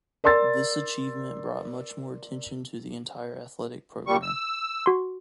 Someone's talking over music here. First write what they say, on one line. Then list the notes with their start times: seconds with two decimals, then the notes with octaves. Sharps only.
This achievement brought much more attention to the entire athletic program.
0.24 A#4 D5 C6 E6 A6
4.07 A#2 G3 C#6
4.22 E6
4.86 F#4 C6